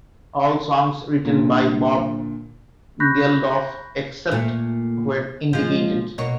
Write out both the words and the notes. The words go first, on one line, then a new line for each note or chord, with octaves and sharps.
All songs written by Bob Geldof except where indicated.
A#2 D3
B5 C#6 F#6 G6 A#6 B6
A#2 A3
F3 G#3
B2 A#3 C#5